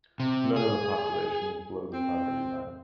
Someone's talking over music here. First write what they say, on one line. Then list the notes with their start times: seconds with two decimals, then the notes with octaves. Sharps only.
None of the population is below the poverty line.
0.20 C3
0.56 G#4
1.92 C4